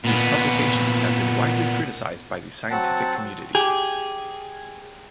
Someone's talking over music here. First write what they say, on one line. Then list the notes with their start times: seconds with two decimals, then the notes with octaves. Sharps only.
These publications have been widely criticised by the scientific community.
0.05 A#2 B3
2.71 F#3 C4 F#5 A5
3.55 G4 G#4